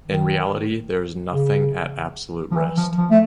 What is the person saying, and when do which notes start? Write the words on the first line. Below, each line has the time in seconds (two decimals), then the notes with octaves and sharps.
In reality, there is nothing at absolute rest.
0.06 D#3
1.32 C#3
2.52 F3
2.56 E3
2.77 F3
2.98 F3
3.10 A3